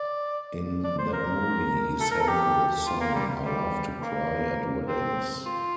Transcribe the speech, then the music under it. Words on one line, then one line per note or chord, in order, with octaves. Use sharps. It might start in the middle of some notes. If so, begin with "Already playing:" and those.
In that movie, he sang the song "I Love to Cry at Weddings".
Already playing: D5
D5
C5
A#4
A4
A#4
A4
G4
F4
A#3
G3
G3
A#3
C4
F4